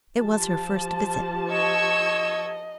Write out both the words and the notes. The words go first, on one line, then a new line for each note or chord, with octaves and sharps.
It was her first visit.
F3 G4 A5
D#5 C#6 E6 G#6 E7